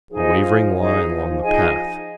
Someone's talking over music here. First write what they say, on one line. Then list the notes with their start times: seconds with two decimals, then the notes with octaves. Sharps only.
A wavering line along the path.
0.11 F3 D#4 G#4 D#5 G#5
0.76 F3 D#4 G#4 D#5 G#5
1.42 D#4 G#4 D#5 G#5